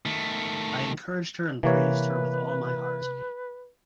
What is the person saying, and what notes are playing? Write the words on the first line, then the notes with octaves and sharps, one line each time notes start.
I encouraged her and praised her with all my heart.
D#3 A3
C3 E3 A#3 B4 C#5